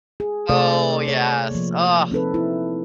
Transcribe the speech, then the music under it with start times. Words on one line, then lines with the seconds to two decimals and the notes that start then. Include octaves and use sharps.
Oh, yes, ugh.
0.20 G#4
0.49 C3 A3 G#4 A4 C5 D5
1.08 C#5
1.51 F3 A#3
2.11 C4 D#4 A4 B4
2.34 E4